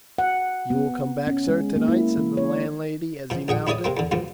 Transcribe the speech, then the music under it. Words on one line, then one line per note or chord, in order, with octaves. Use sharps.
"You will come back, sir, to-night?" said the landlady, as he mounted.
F#5
B3
C#4
G#3
A#3
E4
E3
C#5
B2 F3
A#1 G#4 F#5 G5
C#2 E4 G#4 C#5 D5 D#6
C3 A#3 C4
E2 D3
C#2 F#2 C#3 F3